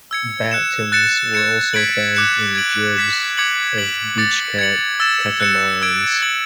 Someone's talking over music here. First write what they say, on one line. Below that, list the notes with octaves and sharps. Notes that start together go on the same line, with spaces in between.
Battens are also found in jibs of beach-cat catamarans.
E6 G#6 C#7
F#6 C#7 E7
F#6 A6 C#7 E7
G#6 C#7 E7
G#6 B6 D7 F#7
D6 F#6 C#7 E7
G#6 D7 F#7
G#6 B6 E7
D6 G#6 C#7 F#7
G#6 B6 D7 F#7
D6 A6 C#7
G#6 C#7 F#7
E6 A6 E7
F#6 C#7 E7
E6 G#6 D7
G#6 D7 F#7